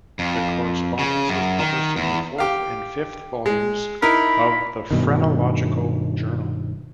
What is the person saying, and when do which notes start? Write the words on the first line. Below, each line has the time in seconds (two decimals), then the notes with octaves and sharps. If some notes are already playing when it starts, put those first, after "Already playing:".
The correspondence was published in the fourth and fifth volumes of the "Phrenological Journal".
0.19 F2
0.99 C#3
1.28 F#2
1.59 D#3
1.96 E2
2.38 G4 F5
3.46 G#3
4.02 D#4 E4 A#4 B5
4.91 G2 B2 D#3